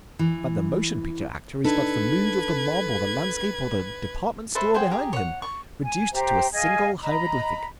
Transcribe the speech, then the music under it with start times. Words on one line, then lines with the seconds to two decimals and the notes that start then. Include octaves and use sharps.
But the motion picture actor is but the mood of the mob or the landscape or the department store behind him, reduced to a single hieroglyphic.
0.19 E3
1.64 D4 D#4 A4 B4 G#6
4.55 A4 B4 C5 E5
4.74 G#4 C5 F#5 G5
4.91 G4 G#4 A#5
5.13 C#5 F#5
5.42 C#6
5.82 G#5
6.13 G4 C5 E5 A#5
6.53 G#4 D#5 F5 G#5
7.02 D#5 A#5 B5